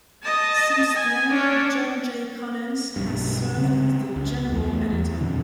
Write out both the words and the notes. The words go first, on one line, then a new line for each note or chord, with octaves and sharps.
Since then John J. Collins has served as the General Editor.
D#5 A5
G#5
C#4 D4
B1 G2
C#3 C4
C#2
E2 A3
E2
F2 B2 D3